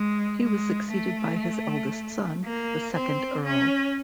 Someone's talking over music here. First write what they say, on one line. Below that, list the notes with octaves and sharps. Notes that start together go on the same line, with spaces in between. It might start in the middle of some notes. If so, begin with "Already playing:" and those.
He was succeeded by his eldest son, the second Earl.
Already playing: G#3
G#3
A3
A#3
C4
C#4